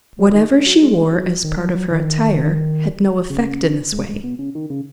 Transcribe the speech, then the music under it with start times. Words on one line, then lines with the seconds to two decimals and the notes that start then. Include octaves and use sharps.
Whatever she wore as part of her attire had no effect in this way.
0.19 F#3
0.35 D#3
0.66 F#3
0.82 G#3
1.13 F#3
1.44 D#3
1.59 F#3
1.75 F#3
1.91 D#3
3.30 C#3
3.92 G#2
4.09 G#2
4.24 B2
4.39 C#3
4.55 D#3
4.70 C#3